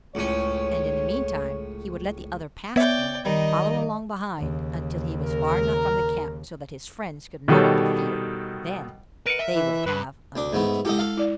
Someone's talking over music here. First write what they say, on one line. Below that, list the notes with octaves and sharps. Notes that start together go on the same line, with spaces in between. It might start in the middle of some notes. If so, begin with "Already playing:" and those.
And in the meantime he would let the other past him, follow along behind until he was far enough from the camp so that his friends could not interfere--then, they would have a meeting!
C#2 A2 C#4 C#5
B3 C#5 D5 E5 G5
D#3 G3 D#5
D#2 C#3
A#4
B2 D#3 G3 A4 C#5
A#4 B4 D#5 F#5
E5
E3
G2 B4
D2 D4
G#2 A3 B3
G#3 E4 G4 A4 D#5
A4 F5
E4 D5